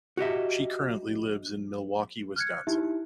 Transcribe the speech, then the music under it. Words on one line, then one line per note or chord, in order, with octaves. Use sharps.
She currently lives in Milwaukee, Wisconsin.
F#4 G4 D#5 E5
F6 F#6 G#6 C#7
D#4 E4 G4 E5